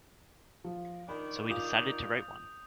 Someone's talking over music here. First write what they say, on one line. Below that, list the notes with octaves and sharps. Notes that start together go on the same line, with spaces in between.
So he decided to write one.
F3
D#3 D4 D#4 B5
F4 D6 D#6 G6 F7